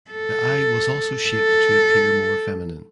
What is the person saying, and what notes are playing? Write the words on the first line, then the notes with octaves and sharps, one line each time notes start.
The eye was also shaped to appear more feminine.
A4
A4